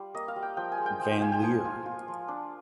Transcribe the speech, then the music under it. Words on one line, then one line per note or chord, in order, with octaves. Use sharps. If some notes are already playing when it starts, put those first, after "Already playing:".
Van Leer.
Already playing: G3 F4
A#3 D#5
F5
G3
G5
F3 G5
G#5
G#3
G5
F3 G5
G5
F4 G#5
G5
F3 G#5
F4
F4
F3
D4